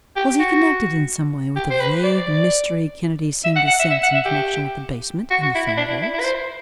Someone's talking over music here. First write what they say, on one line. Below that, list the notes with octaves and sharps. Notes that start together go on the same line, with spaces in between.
Was he connected in some way with the vague mystery Kennedy seemed to sense in connection with the basement and the film vaults?
G4
F#4
G4
C5
B4
D5
E5
F#5
F#5
E5
E5
F#5
E5
G4
F#4
F#4
E4
E4
D4
E4
E4
E4
B4
C5